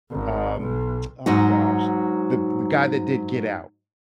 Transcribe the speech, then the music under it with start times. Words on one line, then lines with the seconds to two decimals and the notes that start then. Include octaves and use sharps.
uh, um, oh gosh. The the guy that did Get Out.
0.11 G#1
0.60 B1
1.26 G#2 F#3 D#4 F#4